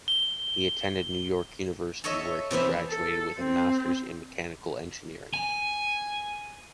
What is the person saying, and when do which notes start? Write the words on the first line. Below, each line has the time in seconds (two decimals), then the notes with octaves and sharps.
He attended Ney York university where he graduated with a Master in mechanical engineering.
0.08 G7
2.04 A4 C#5 D#5 E5
2.51 C3 E3 B3 E5
2.89 A4
3.38 C4
5.34 G#5